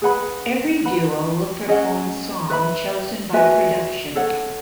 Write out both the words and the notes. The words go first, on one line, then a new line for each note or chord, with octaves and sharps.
Every duo will perform song chosen by production.
G#4 B4 F#5 B5
B4 F#5 B5
C#4 G#4 D#5 F#5
B4 E5 B5
F#4 B4 E5 G#5
A4 C#5 F#5